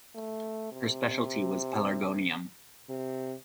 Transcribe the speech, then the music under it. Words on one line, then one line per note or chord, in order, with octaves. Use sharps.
Her specialty was pelargonium.
A3
C3
C3